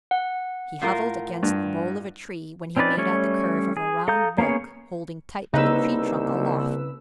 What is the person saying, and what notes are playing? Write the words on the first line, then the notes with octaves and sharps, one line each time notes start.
He huddled against the bole of a tree when he made out the curve of a round bulk holding tight to the tree trunk aloft.
F#5
A2 F4 A#4
G2
C4 C#4 D#4 B4 D5
G3 A3 C#4 C#5
G#4
A4 F5 A#5 D#6 G6
A#3 B3 C#4 G#4 C#5
C2 C#3 A#3 D#4 B4 E6